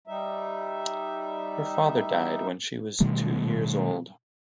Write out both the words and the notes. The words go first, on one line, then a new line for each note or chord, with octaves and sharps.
Her father died when she was two years old.
G3 D#4 E5
B2 D#3 G3 A3